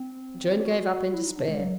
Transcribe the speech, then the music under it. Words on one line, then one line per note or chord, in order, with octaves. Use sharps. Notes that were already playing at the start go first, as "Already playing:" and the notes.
Joan gave up in despair.
Already playing: C4
G4
F#4
E4
D#4
D4
G#3
F#3